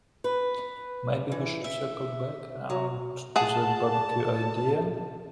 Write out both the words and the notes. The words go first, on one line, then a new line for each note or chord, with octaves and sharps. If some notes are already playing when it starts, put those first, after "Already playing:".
Maybe we should circle back round to that barbecue idea?
B4
E3
E5
F#3
G#4 F#5 A5